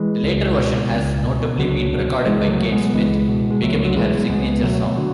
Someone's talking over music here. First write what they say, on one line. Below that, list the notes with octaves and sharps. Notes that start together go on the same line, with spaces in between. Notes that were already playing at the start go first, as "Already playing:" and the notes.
The later version has notably been recorded by Kate Smith, becoming her signature song.
Already playing: E3 G#3
C#2
B2
C#2
B2
C#2 D3 F#3
B2
C#2 E3 G#3
F#3 A3
B2
G#3 B3
C#2 E3 G#3
B2
G#3
C#2 F#3 A3
F#3
B2 E3 G#3
C#2 G#3 B3
B2 F#3 A3
D3 F#3